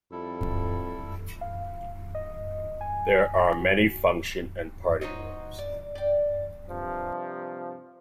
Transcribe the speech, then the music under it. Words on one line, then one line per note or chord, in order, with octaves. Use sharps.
There are many function and party rooms.
F2 G3 E4 A4
F5
D#5
G#5
F#4
D#4 F#4 C5 C#5 D#5
D5
D5 G5
G2 C3 F3